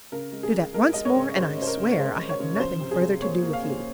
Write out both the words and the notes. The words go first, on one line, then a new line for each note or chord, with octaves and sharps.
Do that once more, and I swear I have nothing further to do with you!'
C#3 A#4
G#3
G#4
G#3
G#3 A#4
G#3 D#5
C#5
C#3
G#3 C5
C#3
C5
A#4
C#3
C#5
G#3 C5
G#3
C#5
C#3
C#5
F3 C5
C3
G#4
C3
A#3 C#5
A#3
F5
A#3